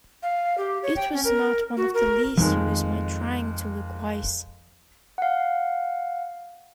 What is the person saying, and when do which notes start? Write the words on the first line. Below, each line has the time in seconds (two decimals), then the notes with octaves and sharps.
It was not of the least use my trying to look wise.
0.22 F5
0.57 G4
0.83 C#5
0.96 G5
1.12 C#4
1.24 A#4
1.77 F#4
1.94 A#4
2.38 F2 D#3 G#3
5.18 F5 F#5